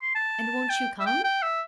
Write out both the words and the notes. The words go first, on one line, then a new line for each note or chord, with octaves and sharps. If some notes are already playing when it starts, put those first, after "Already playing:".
'And won't you come?'
C6
A5
G5
E5
G5
G5
E5